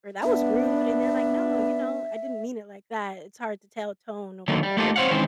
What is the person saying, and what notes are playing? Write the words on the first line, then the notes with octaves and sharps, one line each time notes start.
or, "That was rude," and they're like, "No," you know, "I didn't mean it like that." It's hard to tell tone over text.
B3 D4 E5
D3 D#3 F#3 A3 A#3
G3
A3 A#3 D#4 F4 G4 A4
C4 C5 C#5 F5 F#5
D#3 E3 G#3 C4 C#4 C5